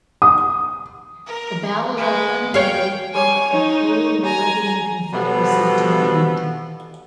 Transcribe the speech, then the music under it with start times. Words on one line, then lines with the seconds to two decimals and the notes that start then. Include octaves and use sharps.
The Battle of Yungay brought the Peru-Bolivian Confederacy to an end.
0.22 D#6
1.26 A#4
1.97 G#3 B4
2.54 C#5 F5 G5
3.14 C#5 G#5
3.50 D#4 C#5
4.24 G#5 A#5
5.13 B2 F3 G3 B3 A4